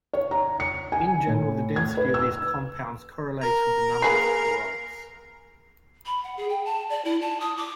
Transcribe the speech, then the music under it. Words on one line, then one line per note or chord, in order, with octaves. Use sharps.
In general the density of these compounds correlates with the number of chlorides.
C#5
A#5
C#7
G#5
A2
G#6
B4
E6
A#4 A#5
A#3 G#4 B4 C7
B5
F#5
G#4
G5
A5
D5
E4
A5
D#6
D6